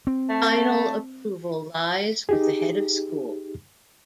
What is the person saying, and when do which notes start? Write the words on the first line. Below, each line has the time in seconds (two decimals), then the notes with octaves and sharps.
Final approval lies with the Head of School.
0.07 C4
0.29 A3
2.29 D#4 G4 G#4